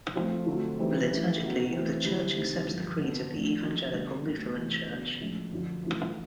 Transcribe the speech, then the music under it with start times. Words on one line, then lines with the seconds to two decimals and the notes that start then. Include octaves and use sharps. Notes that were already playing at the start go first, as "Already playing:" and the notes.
Liturgically, the church accepts the creeds of the Evangelical Lutheran church.
0.15 F3 A3 C4 F4
0.46 D3 F#3 A3 C4 F4
0.78 E3 G3 C4 D#4
1.09 E3 A3 C#4 E4 G4
1.41 C#3 F#3 B3 D#4 F#4
1.73 E3 A3 C4
2.04 D3 G3 C4 E4 G4
2.36 C3 D#3 G3 C4
2.67 G2 D3 F3 G#3
2.99 D3 F#3 B3 D4 G4
3.31 A2 F3 A3 D4
3.62 F3 A#3 C#4 F#4
3.94 D3 G3 B3 D4
4.25 A2 F#3 A#3 D4 F#4
4.57 C3 E3 A3 C4
4.88 C#3 F#3 B3 D4
5.20 A2 F3 G#3 C#4
5.51 F#2 D3 F3
5.83 E3 A3 C#4 F4